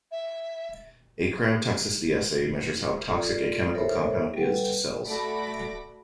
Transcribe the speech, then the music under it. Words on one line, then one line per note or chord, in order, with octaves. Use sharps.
A cytotoxicity assay measures how toxic a chemical compound is to cells.
E5
F4 A4 D5
A4 A#4 C5 C#5 E5
G3 A4 B4 F#5
A3 F#4 D5 B5 D6 A#6